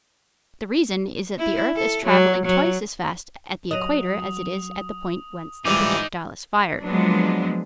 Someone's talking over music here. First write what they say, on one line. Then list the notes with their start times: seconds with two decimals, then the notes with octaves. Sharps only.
The reason is that the earth is traveling twice as fast at the equator as it is at the point whence the projectile is fired.
1.39 E4
1.76 A4
2.06 F#3
2.46 F#3
3.71 F#3 D#5 D#6 F7
5.65 D2 E3 F3 G3 G#3 D#4 G#4 D6
6.84 F3 F#3 G#3 A#3 B3 D4